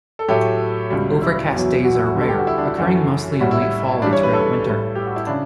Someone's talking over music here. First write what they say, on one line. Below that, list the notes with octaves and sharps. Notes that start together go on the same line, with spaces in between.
Overcast days are rare, occurring mostly in late fall and throughout winter.
A4
A2 F#3 A3 G4
C#2 B2 G3
E4
E2 B2 F#3
F#4
E4
F#4
D2 D3 G3 A4
G4
F#4
E4
D4
E4
F#2 E3 A3 F#4
A2 G3 F#4
E4
E4
G2 E3 G3 D4
C#5
B4
A4
A2 G3
G4
F#4
E4
C#3 D4